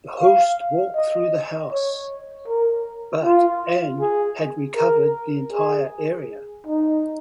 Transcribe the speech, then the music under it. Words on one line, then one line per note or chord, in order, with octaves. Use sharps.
The host walked through the house but and had covered the entire area.
F5
D#5
C#5
A#4
F4
G#4
A#4
G#4
D#4